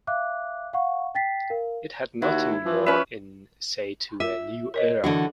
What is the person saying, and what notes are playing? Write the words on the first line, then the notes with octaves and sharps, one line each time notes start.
It had nothing more in say to a new era.
E5 F5 D6 F#6
F5 F#5 C#6
G5 A6 B6 C7
A#4 F5
D#2 E4 F#4
E3 F3
C#4 B4 E5
F4 E5
A#4 C#5 D#5
D3 E3 D4 F#4